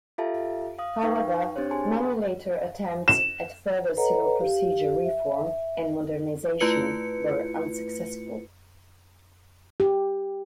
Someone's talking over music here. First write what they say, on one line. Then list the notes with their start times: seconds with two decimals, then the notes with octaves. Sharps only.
However, many later attempts at further civil procedure reform and modernization were unsuccessful.
0.18 F4 G4 A4 E5 F5 A5
0.79 F5 D#6
1.03 D#4 B4 F5 G5 C#6
1.56 C4 D4 G4 C5 C#5
1.71 G#4 G#5 A5 C6
3.08 E7
3.97 A4 B4 C#5 D#5 F#5 A#5
4.40 G4 F5
5.04 E5
6.60 A3 E4 F4 B4 C#7
9.80 G4